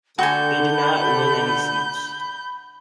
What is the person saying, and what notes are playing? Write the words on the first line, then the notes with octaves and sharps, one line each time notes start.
They did not win any seats.
D3 F#4 G#5 B5 G6